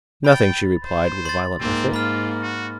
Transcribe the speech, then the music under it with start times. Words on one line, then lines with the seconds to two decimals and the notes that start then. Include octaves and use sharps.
"Nothing," she replied with a violent effort.
0.25 G5 B5 A6
0.84 C5
1.25 C6 A6
1.60 G#2 A#3 C4
1.93 F4 B5 F6
2.42 F#4